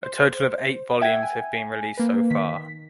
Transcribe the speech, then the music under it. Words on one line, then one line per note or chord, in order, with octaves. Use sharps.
A total of eight volumes have been released so far.
C5
E5 F#5 G5 G#6
G#5
A#3 B4
D#3 B6